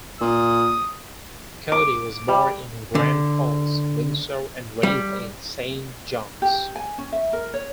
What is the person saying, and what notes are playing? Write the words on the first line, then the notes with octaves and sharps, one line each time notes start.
Coady was born in Grand Falls-Windsor and raised in Saint John's.
A#2 D#6
D6
G3
D3
G3
G4
G#5
C#4
E5
A#4
C#5